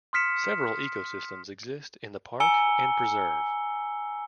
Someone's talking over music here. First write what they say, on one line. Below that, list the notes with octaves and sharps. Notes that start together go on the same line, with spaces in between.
Several ecosystems exist in the park and preserve.
C6 D#6 F6 B6 C#7 E7
G#5 A#5 E6 C#7 G7